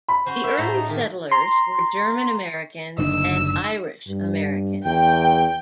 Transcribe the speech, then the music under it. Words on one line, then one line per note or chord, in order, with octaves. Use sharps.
The early settlers were German-Americans and Irish-Americans.
B5
C#4 F#4 C5
A#4 E5 F5
A2 G#4 A#5
D#4
D#3 G4
A#5 C6
F#1 D3 D4 D#4 D#5 E6
G2
E2 G5